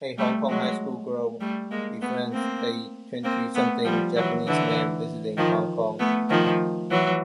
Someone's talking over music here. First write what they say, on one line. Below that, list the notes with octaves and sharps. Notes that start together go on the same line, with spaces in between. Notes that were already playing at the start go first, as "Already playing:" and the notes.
A Hong Kong high school girl befriends a twenty-something Japanese man visiting Hong Kong.
G3 A3
F#3 G#3
G3 A3
G#3 A#3
A3 B3
A#3 C4
A#3 C4
A3 B3
F3 G3
E3 F#3
D3 E3
D#3 F3
A3 B3
D#3 F3
E3 F#3